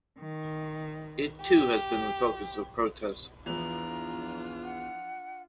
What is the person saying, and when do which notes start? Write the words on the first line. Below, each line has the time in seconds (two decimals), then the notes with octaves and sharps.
It, too, has been the focus of protests.
0.20 D#3
1.41 G4
3.46 E2 E3 F3 D4 F4 A#5
4.64 F#5